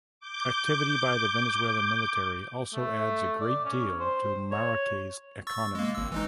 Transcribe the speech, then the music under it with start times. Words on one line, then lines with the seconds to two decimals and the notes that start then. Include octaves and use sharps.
Activity by the Venezuelan Military also adds a great deal to Maracay's economy.
0.20 D6 G6
2.74 A3
3.41 D5
3.65 C#4
4.00 C5
4.51 C#5
5.47 C#6 E6 A6
5.75 G#3 A#3
5.95 G#1 E6
6.12 E3 G#3 D#4